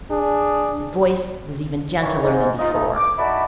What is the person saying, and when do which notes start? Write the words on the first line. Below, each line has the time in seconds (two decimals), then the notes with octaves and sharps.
His voice was even gentler than before.
0.11 D4 G#4
2.01 D#3 E3 C#5
2.22 G#2
2.59 D#4 F4 D#5
2.72 E3 F3 A3 D#4
2.95 D6
3.18 D#4 E4 F#4 D5 A5 B5